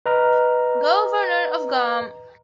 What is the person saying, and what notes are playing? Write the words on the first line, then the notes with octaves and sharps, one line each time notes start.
Governor of Guam.
B4 D#5 A#5 F6